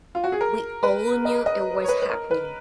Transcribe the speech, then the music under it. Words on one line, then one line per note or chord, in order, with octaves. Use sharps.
We all knew it was happening.
F4
F#4
G#4
A#4
B4
D#5
D#5
C#5
B4
B4
A#4
B4